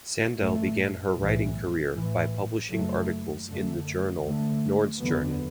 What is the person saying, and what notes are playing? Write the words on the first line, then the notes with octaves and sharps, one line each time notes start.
Sandel began her writing career by publishing articles in the journal "Nordstjernan".
A1 A2 A3
B1 A2 E3
A1 A2 E3
F#1 F#2 F#3 A3
F#2 D3 A3
D2 D3 A3
F#1 E2 D3 F#3 B3